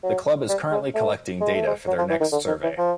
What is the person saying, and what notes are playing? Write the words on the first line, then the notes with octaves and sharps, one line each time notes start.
The Club is currently collecting data for their next survey.
F#3
G3
G#3
A3
G#3
A3
G#3
F#3
F3
E3
D#3
D3
D#3
E3
F3